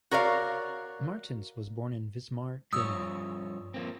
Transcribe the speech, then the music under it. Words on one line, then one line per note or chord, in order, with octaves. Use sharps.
Martens was born in Wismar, Germany.
F#4 A#4 C#5 D5 F5
G2 F3 C#5 D#6 E6
F3 A#3 C4